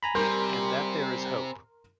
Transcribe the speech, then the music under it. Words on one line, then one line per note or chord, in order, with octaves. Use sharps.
And that there is hope.
G#5 A#5 B5
C3 G3 A#4 C6 G6